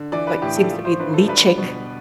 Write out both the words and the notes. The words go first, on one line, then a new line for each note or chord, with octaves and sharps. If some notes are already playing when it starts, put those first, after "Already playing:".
like, seems to be leeching
Already playing: D3
E3 D5
B4
A2 G4
A4
F3
C5
D3 B4
A4
G3 B4
B2